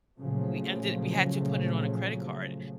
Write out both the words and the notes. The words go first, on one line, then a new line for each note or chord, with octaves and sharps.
we ended we had to put it on a credit card,
A#2 C#3 F3 F#3 A3